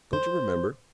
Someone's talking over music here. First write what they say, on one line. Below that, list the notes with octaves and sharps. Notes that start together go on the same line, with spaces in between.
'Don't you remember?
C5